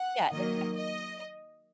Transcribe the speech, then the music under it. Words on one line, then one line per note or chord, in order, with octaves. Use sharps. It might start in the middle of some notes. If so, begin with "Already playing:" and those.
yeah, it's kinda like that
Already playing: F#5
D#3 F#3 A#3 D#5
D#5